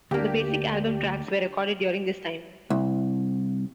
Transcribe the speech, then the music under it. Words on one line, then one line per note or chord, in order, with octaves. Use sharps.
The basic album tracks were recorded during this time.
D2 A#3 D4 G4
C2